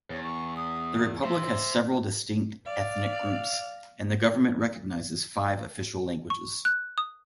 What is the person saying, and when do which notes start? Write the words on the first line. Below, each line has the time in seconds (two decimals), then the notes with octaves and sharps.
The republic has several distinct ethnic groups, and the government recognizes five official languages.
0.10 E2 C#5
0.24 C#6
0.57 D#6
1.24 C5 E5 C6
2.67 D5 F5
6.30 C#6
6.65 F#6
6.98 D#6